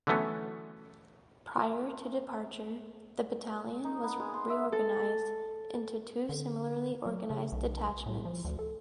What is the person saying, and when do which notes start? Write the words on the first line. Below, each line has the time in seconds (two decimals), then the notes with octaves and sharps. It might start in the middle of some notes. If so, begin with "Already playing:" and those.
Prior to departure the battalion was reorganized into two similarly organized detachments.
0.07 D3 E3 F#3 A3 B3 C#4
3.85 D#4
4.03 B3
4.20 G#3
4.34 C6
4.50 E5
4.72 A4
6.29 D3
7.06 F#3
7.30 C#3
7.52 B1
8.06 A2
8.25 F3
8.45 D2
8.59 A4